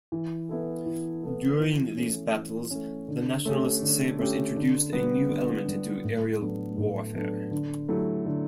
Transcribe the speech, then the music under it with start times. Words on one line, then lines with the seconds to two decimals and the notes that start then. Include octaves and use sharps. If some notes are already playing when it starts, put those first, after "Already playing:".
During these battles, the Nationalist Sabres introduced a new element into aerial warfare.
0.12 E3
0.49 B3 E4 A4
0.86 E3
1.23 B3 E4 A4
1.60 E3
1.97 A3 C#4
2.34 E3
2.71 A3 C#4
3.08 D3
3.45 A3 C#4 G4
3.82 D3
4.19 A3 C#4 G4
4.56 D3
4.93 G3 B3
5.30 D3
5.66 G3 B3
6.04 A2
6.40 F#3 B3 D4 A4
6.78 A2
7.15 F#3 B3 D4 A4
7.51 D3
7.89 F#3 A3 E4 G4
8.25 D3